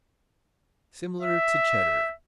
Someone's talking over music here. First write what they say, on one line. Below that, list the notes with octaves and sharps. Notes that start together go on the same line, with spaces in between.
Similar to Cheddar.
E5